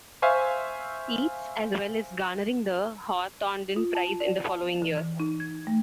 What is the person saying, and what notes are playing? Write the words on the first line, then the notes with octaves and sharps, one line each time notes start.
Yeats, as well as garnering the Hawthornden Prize in the following year.
C5 E5 F5 G#5 C#6
F4
A5
D5
A5
E3
E3
D#4
G#6
A3